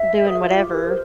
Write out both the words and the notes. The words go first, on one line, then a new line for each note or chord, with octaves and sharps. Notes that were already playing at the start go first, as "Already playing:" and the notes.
doing whatever,
Already playing: E5
G#4
F4
G4
A#4
C5